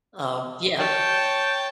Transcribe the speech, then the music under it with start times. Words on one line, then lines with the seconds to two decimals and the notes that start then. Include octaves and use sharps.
Um, yeah
0.79 C#5 G5 A5